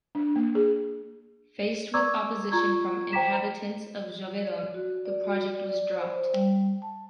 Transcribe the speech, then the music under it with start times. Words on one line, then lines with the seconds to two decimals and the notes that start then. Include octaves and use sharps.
Faced with opposition from inhabitants of Gévaudan, the project was dropped.
0.15 D4
0.36 A#3
0.55 G#4
1.94 D5 A#5 C#6 D6 E6 G#6
2.52 F4 A#5 C#6 G#6
3.12 C5 G5 A#5 D6 B6 E7
4.43 D5
4.74 F#4
5.06 D5
5.24 F#4
5.39 D5
5.69 D5
6.00 C5
6.34 G3
6.82 A5